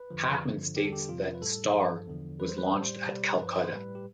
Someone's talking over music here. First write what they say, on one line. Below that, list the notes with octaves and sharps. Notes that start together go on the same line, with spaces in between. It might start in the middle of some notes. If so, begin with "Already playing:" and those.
Hackman states that "Star" was launched at Calcutta.
Already playing: B4
F2 D3 F3
G2 D3 F3
E2 D3 G3 G4
A4
G4
F2 C3 F3 F4
B4
A2 G3 A4
G2 F3
E2 D3 F3
F2 E3 G3 B4
C5
B4
A2 G3 C5
B2 G3
G2 F3 B4
C5
B4
C5
A2 G3 B4
G4